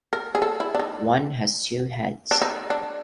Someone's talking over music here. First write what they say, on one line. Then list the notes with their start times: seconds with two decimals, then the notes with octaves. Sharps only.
One has two heads.
0.13 A#4
0.35 G#4
0.42 A4
0.60 E4
0.75 D4
0.79 D#4
2.31 D4
2.42 D#4
2.70 D4